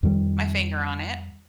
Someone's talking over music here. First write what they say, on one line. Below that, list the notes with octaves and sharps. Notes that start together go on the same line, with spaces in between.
my finger on it,
F2 D#3 G3